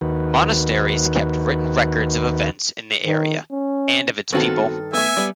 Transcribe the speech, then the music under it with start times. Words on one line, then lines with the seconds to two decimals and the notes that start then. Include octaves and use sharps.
Monasteries kept written records of events in the area and of its people.
0.01 D#2 D#3 F#4 B4
3.06 D#3
3.51 C#4
4.32 G2 D#3 B3 C4 F#4 A4
4.93 A3 B3 E5 G#5
5.17 G3 B3